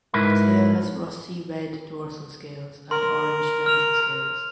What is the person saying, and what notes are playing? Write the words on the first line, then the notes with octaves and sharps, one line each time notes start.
The tail has rusty red dorsal scales and orange ventral scales.
G#2 E4 A#4 B4 B5
A#4 C6
F6 F7